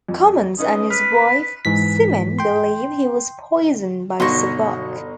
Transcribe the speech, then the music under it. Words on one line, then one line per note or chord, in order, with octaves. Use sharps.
Commons and his wife, Simin, believe he was poisoned by Savak.
F2
C#4 D#4 B4 D#5
B4 F6 B6
G#2 E3 B6
G5 C6
G1 B2 F#3 D#4 C6 C#6 A#6